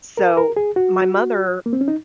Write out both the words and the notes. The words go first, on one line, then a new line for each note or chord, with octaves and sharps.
So, my mother
A#4
A#4
G#4
F#4
A#3
C4
C#4
D#4